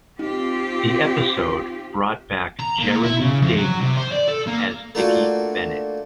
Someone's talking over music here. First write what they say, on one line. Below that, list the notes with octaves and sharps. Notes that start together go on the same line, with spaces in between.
The episode brought back Jeremy Davies as Dickie Bennett.
C4 D#4 F4 G4
A#5
A#2
E4
C#3
F2
F#3
C3
C5
D5
A4
A#3
A3 A#3 D4 F4 F#4